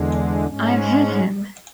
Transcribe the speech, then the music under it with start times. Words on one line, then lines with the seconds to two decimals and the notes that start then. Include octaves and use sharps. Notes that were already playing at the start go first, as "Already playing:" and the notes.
I've hit him.
Already playing: E2 D3 G#3
0.46 G#2 G#3 C#4